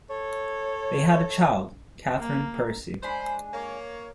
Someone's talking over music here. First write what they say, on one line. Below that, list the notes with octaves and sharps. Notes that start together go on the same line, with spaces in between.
They had a child, Catherine Percy.
A4 C#5
A#3
G#3 D4 C5 G#5 B5
A#3 C#5